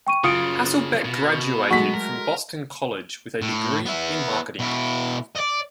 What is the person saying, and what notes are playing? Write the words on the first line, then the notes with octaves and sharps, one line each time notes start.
Hasselbeck graduated from Boston College with a degree in marketing.
G5 C#6 D#7
F#2 C#3 F4 D#6 C#7 D7
B2
F#3 G#3 A3 F#5 C#6 B6
A#4
A2
B3 E4
B2 E4
D5 D#5